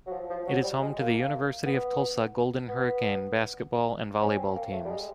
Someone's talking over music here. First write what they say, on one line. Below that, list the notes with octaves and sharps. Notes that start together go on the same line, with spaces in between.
It is home to the University of Tulsa Golden Hurricane basketball and volleyball teams.
F#3
F3
F3
F#3
G3
G#3
A#3
B3
B3
C#4
C4
A#3
A3
G3
G#3